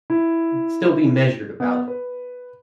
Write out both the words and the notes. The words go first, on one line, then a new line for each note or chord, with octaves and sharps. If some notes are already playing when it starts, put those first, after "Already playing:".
still be measured about it.
E4
B3
B4